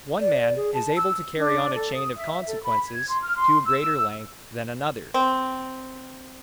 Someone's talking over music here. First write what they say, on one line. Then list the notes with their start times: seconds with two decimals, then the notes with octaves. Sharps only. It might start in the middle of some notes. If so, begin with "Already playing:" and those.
One man is able to carry on a chain of consequences to a greater length than another.
0.21 D5
0.56 G#4
0.74 A5
0.97 E6
1.38 D4
1.74 A4
1.94 D#6
2.16 E5
2.47 A4
2.63 B5
2.89 G#6
3.09 C6
3.23 F6
3.37 C6
3.66 E6
5.14 C4